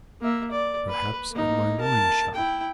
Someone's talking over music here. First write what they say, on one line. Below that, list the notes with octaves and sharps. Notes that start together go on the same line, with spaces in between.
"Perhaps at my wine-shop?"
A#3 E5
D5
B4
A#3 D#4
A#4 A5
E4 G5